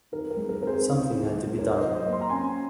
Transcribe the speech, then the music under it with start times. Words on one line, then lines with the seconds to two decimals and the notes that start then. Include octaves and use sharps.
Something had to be done.
0.12 D#3 A#4
0.31 A#4
0.37 G#3
0.49 A#4
0.62 C4 A#4
0.67 G#4 C5
0.85 D#3
1.10 D#3
1.34 G#3
1.58 D#3 A#4 C#5
1.76 C5 D#5
1.83 F#3
1.94 C5 D#5
2.07 A#3
2.13 C6
2.21 A#5
2.29 C#4 G#5 C6